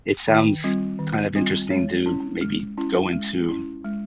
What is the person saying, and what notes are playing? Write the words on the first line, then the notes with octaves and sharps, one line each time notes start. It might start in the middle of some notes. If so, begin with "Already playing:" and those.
it sounds kinda interesting to maybe go into
D#3 G5
G3 C4 F4
D#3
G3 C4 F4
G#3 C#5
C#4 E4
G#3
C#4 E4
G#3
C#4 E4
G#3